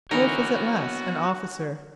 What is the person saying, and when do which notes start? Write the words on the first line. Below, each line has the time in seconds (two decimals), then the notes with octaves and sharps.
Wolfe was at last an officer.
0.11 D3 E3 B3 D#4 F#4 A#4 C#5